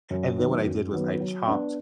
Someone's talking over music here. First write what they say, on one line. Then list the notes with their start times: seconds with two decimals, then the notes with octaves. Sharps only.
And then what I did was I chopped
0.10 F#2
0.38 D#3 F#3 B3
0.66 F#2
0.92 D#3 F#3 B3
1.20 F#3
1.48 B3 D4